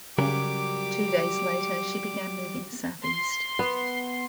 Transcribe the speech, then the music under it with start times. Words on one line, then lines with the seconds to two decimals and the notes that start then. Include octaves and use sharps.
Two days later, she began moving southeast.
0.19 C#3 F#3 G3 G4 A#4 D6
3.04 C6
3.59 B3